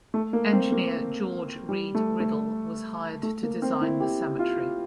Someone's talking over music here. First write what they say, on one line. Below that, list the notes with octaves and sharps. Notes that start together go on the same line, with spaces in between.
Engineer George Read Riddle was hired to design the cemetery.
A3
A#3
C4
A#3
G3
A3
A3
A3
A#3
C4
E4
G4
F4